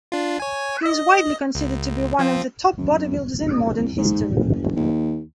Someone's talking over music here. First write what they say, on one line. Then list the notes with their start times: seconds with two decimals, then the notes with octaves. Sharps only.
He is widely considered to be one of the top bodybuilders in modern history.
0.12 D4 F4
0.40 C#5 G#5
0.86 D#5
1.55 C#2
2.19 F3 C4 F4
2.78 F#2
3.37 F#1
3.77 C2
3.98 G#2
4.41 F#1
4.76 D#2